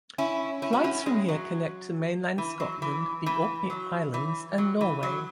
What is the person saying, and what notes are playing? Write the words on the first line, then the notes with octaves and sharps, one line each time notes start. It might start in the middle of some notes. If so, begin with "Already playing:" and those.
Flights from here connect to mainland Scotland, the Orkney Islands and Norway.
C#4 E4
C#4 E4
F#4
C#4 E4
G#3
F#3
E3
F#3
E3
E3
F#3
E3
F#3
E3
F#3